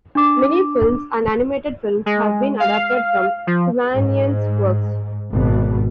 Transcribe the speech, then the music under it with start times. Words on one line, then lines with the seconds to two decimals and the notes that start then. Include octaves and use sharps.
Many films and animated films have been adapted from Tumanyan's works.
0.15 D4 D6
2.06 G#3
2.60 F5
3.47 F3
3.92 G#2
5.33 G#1 B2